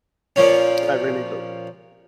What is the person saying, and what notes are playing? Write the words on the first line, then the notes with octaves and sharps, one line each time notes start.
I really do.
A#2 F3 C#4